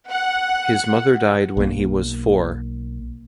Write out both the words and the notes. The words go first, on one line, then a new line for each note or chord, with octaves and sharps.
His mother died when he was four.
F#5
B1 A#3